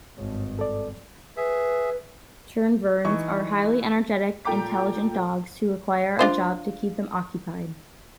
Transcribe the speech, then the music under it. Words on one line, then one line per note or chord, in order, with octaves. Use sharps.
Tervurens are highly energetic, intelligent dogs who require a job to keep them occupied.
G#1 G2 C#5
A4 D5
G#4 B4 E5
E3 D#4 C#6
A#2 A4 G5 A#5 D6 B6
D4 F4 C5